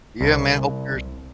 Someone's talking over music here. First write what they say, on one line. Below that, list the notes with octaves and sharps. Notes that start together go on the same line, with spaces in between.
yeah, man, hope your
C2